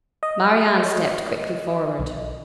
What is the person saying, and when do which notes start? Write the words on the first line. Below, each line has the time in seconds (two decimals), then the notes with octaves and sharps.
Marie-Anne stepped quickly forward.
0.23 D#5
0.85 C#5
1.99 B1